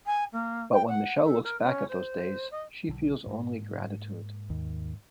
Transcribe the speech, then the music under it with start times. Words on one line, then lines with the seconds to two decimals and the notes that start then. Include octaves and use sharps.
But when Michele looks back at those days she feels only gratitude.
0.06 G#5
0.32 A#3
0.72 G5
0.88 F#5
1.24 A4
1.43 A#4
1.63 C#4
1.88 C5
2.51 D#5
2.88 B1 D3 F#3
3.26 G#2 A#3
4.50 D#2